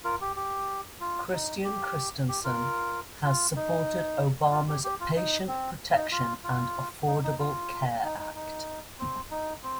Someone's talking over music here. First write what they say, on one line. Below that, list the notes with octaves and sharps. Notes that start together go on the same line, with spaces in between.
Christian-Christensen has supported Obama's Patient Protection and Affordable Care Act.
F4 A#4
G4
G4
F4
D#4
G4
G4
F4 A#4
F4
D#4
F4
G4
G4
F4
D#4
C4
D#4
F4
F4
D#4
D#4
F4
D#4
D#4
D#4
C4
D#4
C4